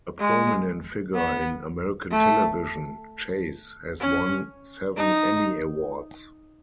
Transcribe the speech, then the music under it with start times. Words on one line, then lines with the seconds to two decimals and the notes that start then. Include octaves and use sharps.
A prominent figure in American television, Chase has won seven Emmy Awards.
0.20 G#3
1.15 B3
2.11 A3
4.00 C#4
4.96 D#4